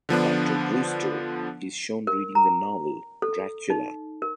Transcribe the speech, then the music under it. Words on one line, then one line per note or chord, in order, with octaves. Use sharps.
Doctor Brewster is shown reading the novel "Dracula".
D3 F3 B3 D4
A#4
A#5
A4
D#4
A#4